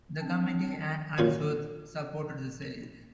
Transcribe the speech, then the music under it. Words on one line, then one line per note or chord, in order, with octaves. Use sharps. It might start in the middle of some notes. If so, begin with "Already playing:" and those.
The committee and Unsworth supported the sale.
C4 D4
F#2 A#2 C#4 G#5